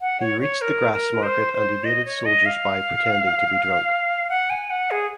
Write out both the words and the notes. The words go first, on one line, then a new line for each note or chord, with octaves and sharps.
He reached the Grassmarket and evaded soldiers by pretending to be drunk.
F#5
C#5
C#5
A#4
A#4
C5
C5
D#5
C#5
D#5
F5
F#5
G#5
F#5
G#4